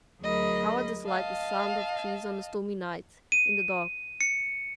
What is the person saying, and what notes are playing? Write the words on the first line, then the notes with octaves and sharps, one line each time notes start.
How I dislike the sound of trees on a stormy night, in the dark!
D2 F#3 G#4 A#4 D#5 B5
D#5 F5 A5
D#7
C#7